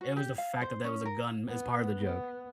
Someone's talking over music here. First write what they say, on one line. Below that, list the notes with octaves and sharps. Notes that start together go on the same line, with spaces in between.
It was the fact that there was a gun as part of the joke,
F#4
G4
F5
C5
C#4
A#4
B3
B3